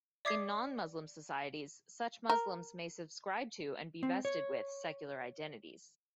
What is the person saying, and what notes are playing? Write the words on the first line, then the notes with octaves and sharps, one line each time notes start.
In non-Muslim societies, such Muslims may subscribe to, and be vested with, secular identities.
D5 E5 D6 D#6 G#6 C7
A#4
C4
C#5